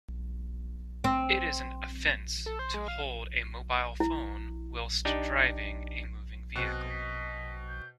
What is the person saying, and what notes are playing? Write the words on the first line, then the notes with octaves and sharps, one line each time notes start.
It is an offence to hold a mobile phone whilst driving a moving vehicle.
C4
A4
C5
G#3
F5
E4
D4 D#4 G4
B2 C4 D#5 F#6
B6
G6